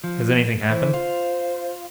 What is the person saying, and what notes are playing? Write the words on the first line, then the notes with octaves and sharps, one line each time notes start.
"Has any thing happened?"
F3
E3 C5
F4